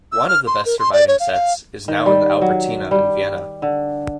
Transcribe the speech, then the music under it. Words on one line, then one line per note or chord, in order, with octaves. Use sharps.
One of the best surviving sets is now in the Albertina in Vienna.
E6
F6
C6
A#4
C6
D5
C#5
F5
F5
D#3
G3
F#3
G3
D3